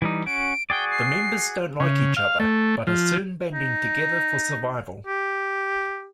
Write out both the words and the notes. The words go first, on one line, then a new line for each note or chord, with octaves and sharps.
The members don't like each other, but are soon banding together for survival.
E3 G3 D#4
C#4 F#4 D7
F#4 G#4 D5 G5
C7
C#3
F5
A3
F3
D#4
G4